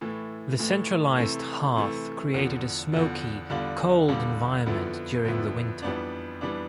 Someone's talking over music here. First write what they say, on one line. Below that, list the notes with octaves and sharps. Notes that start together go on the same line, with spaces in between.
The centralized hearth created a smoky, cold environment during the winter.
A2 E3 A3
A2 E3 A3
C3 E3 A3
C3 E3 A3
E2 D3 F3
E2 D3 F3
E2 D3 G3 D4 F4
E2 D3 G3 D4 F4
F2 D3 F3 B3 E4
F2 D3 F3 B3 E4
F2 E3 G3 B3 D4
E3 G3 B3 D4